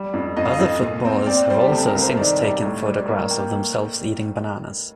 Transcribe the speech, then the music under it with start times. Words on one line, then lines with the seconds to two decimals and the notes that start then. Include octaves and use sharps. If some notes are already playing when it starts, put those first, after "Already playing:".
Other footballers have also since taken photographs of themselves eating bananas.
Already playing: G3
0.13 F2
0.36 F2 D#5
0.45 F5
0.53 D#5
0.59 F2
0.81 A#2
1.05 C4
1.26 C4 D5
1.50 G3 C5
1.61 G4
1.72 C3 A4
1.88 A#4
1.95 C2
2.02 C5
2.17 D#3 D5
2.40 G3
2.62 A2
2.86 G3
3.08 A#3
3.31 A#3 G5